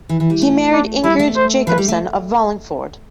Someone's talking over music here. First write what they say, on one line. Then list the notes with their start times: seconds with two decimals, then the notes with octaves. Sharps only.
He married Ingrid Jacobson of Wallingford.
0.09 E3
0.20 E3
0.30 G3
0.42 A3
0.72 D4
1.04 G3 E4
1.19 A3
1.36 C5
1.67 F3 B4
1.78 G3
1.88 A3